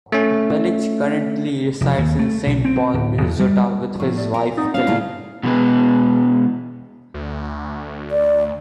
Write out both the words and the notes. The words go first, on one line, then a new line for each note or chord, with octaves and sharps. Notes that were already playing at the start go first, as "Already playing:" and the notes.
Belich currently resides in Saint Paul, Minnesota, with his wife Kelly.
A3 C#4
F1
D#2
A3
B1
C4
D1
E2
G3
A2 F3 B3
G4 D5
A#4
C4 D#4 D5 F#5
B3 C#4 F5
A#2 C#3 A3 E4
B2 E3 G#3 B3
D2
D5